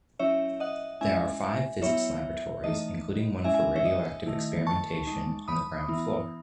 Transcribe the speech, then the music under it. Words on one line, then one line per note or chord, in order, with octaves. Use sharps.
There are five physics laboratories, including one for radioactive experimentation, on the ground floor.
F#3 C#4 E4 C#5 E5
D#5 F#5
G#3 C#4 E4 E5 G#5
F#3 B3 E4 C#5 E5
E3 A3 D#4 D#5
G#3 C#4 E4 E5 G#5
E5 G#5
C#5 E5
D#5
D#3 A3 E4
A5 C#6
G#3 D#4
B5 D#6
E3 B3 E4